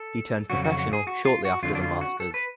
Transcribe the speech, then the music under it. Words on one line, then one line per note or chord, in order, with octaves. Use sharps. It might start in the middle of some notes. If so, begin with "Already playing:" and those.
He turned professional shortly after the Masters.
Already playing: A4
F2 C#3 F#3 F#4
F#4
F#4
G#4
F#4
F4
F#4
F2 D3 F#3 F4
D4
F4
F#4
A4
B4